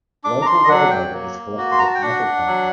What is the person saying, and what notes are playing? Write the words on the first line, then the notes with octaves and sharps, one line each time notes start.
Local weather data is collected at Nettlecombe.
D4 D6
A#5
C6
D#5
F#3 F#5
G5
A#3
F#4
C6
A#5
A5
G5
D4 F#5
F#3